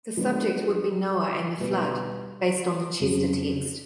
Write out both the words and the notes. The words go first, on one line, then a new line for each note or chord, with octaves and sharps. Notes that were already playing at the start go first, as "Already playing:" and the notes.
The subject would be Noah and the flood, based on the Chester text.
F3 G#3 B3 D4
B2 G3 B3
F2 C#3 F#3